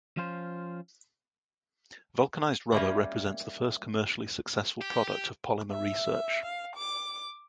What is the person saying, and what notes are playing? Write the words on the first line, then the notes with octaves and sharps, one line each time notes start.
Vulcanized rubber represents the first commercially successful product of polymer research.
F3 C#4 F4 C5
G3 A#3 C#4 E5
G4
E5
F5
D6